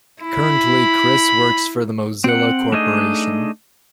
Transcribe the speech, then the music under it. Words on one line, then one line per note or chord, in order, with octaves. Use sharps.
Currently Chris works for the Mozilla Corporation.
E4 B5
C4 F#5
A3 D4 D#4 G#4 D#5